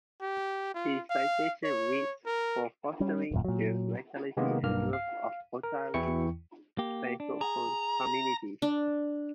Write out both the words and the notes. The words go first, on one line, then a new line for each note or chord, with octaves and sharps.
His citation reads, for fostering the vitality and growth of Ontario's francophone community.
G4
F4
F5
C#5
A#4
G3 C#4
D#1 F#2 A#2
A#2 F#3
C3 D#3 G#3 A#3 B3
B1 G2 A#3 F6
F5
A#4
E2 E3 E4 G5 C#6 C#7
A#3 G4
D4
G#4 A#5
D4